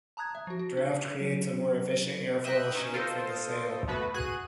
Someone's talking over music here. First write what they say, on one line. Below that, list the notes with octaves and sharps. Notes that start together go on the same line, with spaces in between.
Draft creates a more efficient airfoil shape for the sail.
A5 A#5 D#6 F#6 G#6
E5
F3 F#4
F#4
D4
F#3 C#4
D#5 E5 G5 F#6
C#4 D#4
F4 A4 C5 D#5
A3 B3 F#4 B4
F#4 G#4 F#6 D#7